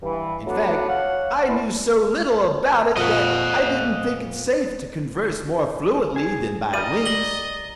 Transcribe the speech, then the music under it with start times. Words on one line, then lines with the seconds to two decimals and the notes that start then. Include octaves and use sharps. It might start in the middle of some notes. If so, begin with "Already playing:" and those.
In fact, I knew so little about it that I didn't think it safe to converse more fluently than by winks.
0.03 G2 E3
0.46 F#3 A3 B3 D4
0.88 C#5 F5 F#5
1.48 D4 E4 B4 C5
2.97 F2 A#2 D#5 F#5
6.16 G#4
6.74 G3 A#4 D5 D#5 A#5 D#7
7.05 A#6 F#7 G7